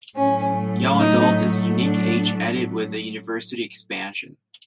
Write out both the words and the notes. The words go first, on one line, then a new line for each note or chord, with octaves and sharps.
Young adult is a unique age added with the "University" expansion.
A2 F#3 A3 C#4
D#4
D4